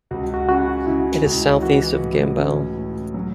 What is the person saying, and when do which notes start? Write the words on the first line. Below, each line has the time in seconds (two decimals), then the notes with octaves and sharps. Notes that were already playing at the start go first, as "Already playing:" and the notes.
It is southeast of Gambell.
0.11 C#2 F#4
0.34 F#4
0.49 C#3 F#4
0.87 C#3 E4
1.24 C#2
1.62 E3 F#4
2.01 A2
2.38 C#4
2.76 A2
3.14 F#3